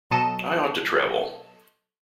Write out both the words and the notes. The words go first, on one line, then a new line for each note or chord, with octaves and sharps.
I ought to travel.
B2 F#3 A4 D#5 A5 E7